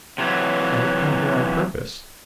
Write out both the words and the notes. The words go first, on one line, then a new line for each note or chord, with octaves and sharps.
I have come here on purpose.
C3 E3 F#3